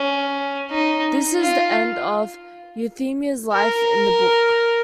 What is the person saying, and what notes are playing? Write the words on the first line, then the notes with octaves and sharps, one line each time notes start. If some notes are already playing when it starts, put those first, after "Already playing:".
This is the end of Euphemia's life in the book.
Already playing: C#4
D#4
F4
A#4